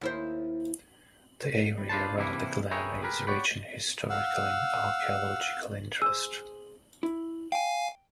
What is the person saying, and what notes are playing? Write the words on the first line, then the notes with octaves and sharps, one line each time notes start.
The area around the Glen is rich in historical and archaeological interest.
D#2 E4 C5
G3
D4 F4 B4 C5 A5
C3 E3 G3 A#3 D4 E4
G#4 A#4 B4 C#5 E5 G5
G4 G#4 A#4 B4
C#5 D5 F#5 G5 B5
F5 F#5 E6
G#4 C5 E6
E4
F5 G5 G#5